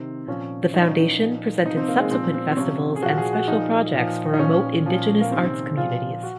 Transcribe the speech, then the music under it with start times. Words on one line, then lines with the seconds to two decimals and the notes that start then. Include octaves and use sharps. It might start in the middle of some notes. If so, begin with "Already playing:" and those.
The Foundation presented subsequent festivals and special projects for remote Indigenous arts communities.
Already playing: C3 D#3 C4
0.27 A#2 F3 C#4
0.74 A#2 F3 D#4
0.81 C#4
0.89 D#4
1.19 A#2 F3
1.65 C3 F3 D#4
1.77 C4
1.88 A#3
2.00 G#3
2.11 A#2 F3 C4
2.34 C4
2.51 C4
2.57 C3 F3 C#4
2.96 G#4
3.02 A#2 F3 F#4
3.18 G#4
3.33 F#4
3.48 A#2 F3 D#4
3.94 A#2 F3
4.34 D#4
4.39 A#2 F3 C#4
4.86 A#2 F3
5.21 A#3
5.31 C3 C4
5.36 D#3
5.43 C4
5.77 A#2 F3 F4
6.23 F#4